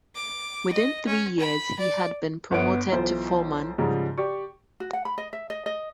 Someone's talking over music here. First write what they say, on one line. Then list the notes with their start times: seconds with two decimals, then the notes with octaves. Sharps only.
Within three years he had been promoted to foreman.
0.15 D6
0.72 D#5
1.06 C#4
1.39 B5
1.79 D5
2.51 G1 B3 C#5 D7
2.92 B1 E3 F4 C5
3.78 G#2 C#3 F3 G3
4.18 G4 D5 C#6
4.80 F#4
4.93 F#5
5.05 B5
5.18 D#5
5.33 E5
5.50 D#5
5.66 D#5